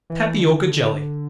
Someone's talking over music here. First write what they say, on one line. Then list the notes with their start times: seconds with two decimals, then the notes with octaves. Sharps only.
Tapioca Jelly.
0.10 E3
0.39 D3